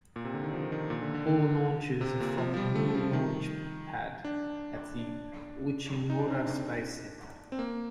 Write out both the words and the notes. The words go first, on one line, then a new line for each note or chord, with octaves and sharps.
All launches are from the Mu Launch Pad at the Uchinoura Space Center.
A#2
C3
D3
D#3
F3
D#3
D#3
A#2
D3
D3
D3
C3
A#2
F3
F3
G3
A3
F3
D#3
D4
D4
D#4
D4
C4
D4
C4
A#3